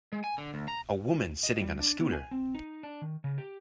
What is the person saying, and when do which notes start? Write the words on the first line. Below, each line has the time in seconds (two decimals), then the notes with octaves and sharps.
A woman sitting on a scooter.
0.13 G#3
0.24 G#5
0.38 D3
0.54 D2
0.68 A#5
1.43 D#5
1.61 G3
1.80 D4
2.00 B3
2.13 G#5
2.31 C4
2.55 D#4
2.83 D4
3.02 D#3
3.24 C#3
3.38 G4